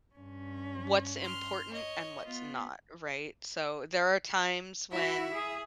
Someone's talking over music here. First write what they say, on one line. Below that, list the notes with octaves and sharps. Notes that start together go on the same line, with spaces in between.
what's important and what's not, right? So there are times when,
G2 C#4
C6 F6
C#5 D#5
B3 F4
E4 F#4 E5
G#4